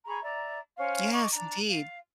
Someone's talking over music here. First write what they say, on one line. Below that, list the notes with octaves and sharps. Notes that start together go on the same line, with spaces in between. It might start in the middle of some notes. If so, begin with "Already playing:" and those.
Yes, indeed.
G#4 A#5 B5 C#6
D5 E5 A#5
C#4 C5 F5
D#5 C#6 D6
D4 A#5
F5